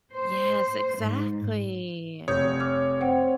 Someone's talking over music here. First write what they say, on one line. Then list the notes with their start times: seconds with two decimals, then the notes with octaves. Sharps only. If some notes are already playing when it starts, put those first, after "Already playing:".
Yes, exactly.
0.12 C5
0.98 G#2
2.28 F1 C#5 D#6 G6
2.60 D6 E6 F6
3.01 C4 F#5 G5